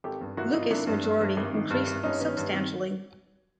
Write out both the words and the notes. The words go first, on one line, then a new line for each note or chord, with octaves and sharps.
Lucas’ majority increased substantially.
G#1 G4 A4
G2
G#1 E4 F#4
G#1 D#4 F4
G#1 D4 E4
G2
G2
G2
G#1
D#3
G2
G#1
G2 C#4 D#4
D#3 B3 C#4
G2 B3
D#3 C4